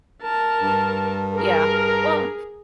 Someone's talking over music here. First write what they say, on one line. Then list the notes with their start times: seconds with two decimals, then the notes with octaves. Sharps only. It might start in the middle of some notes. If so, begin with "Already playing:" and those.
Yeah. Well
0.22 A#4 A5
0.61 G2
1.34 G#4 A#4